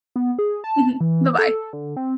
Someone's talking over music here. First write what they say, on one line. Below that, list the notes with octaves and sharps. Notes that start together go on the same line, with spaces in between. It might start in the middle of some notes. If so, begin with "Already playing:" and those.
Mhm. Bye-bye.
B3
G#4
A5
E3
A4
D3
C4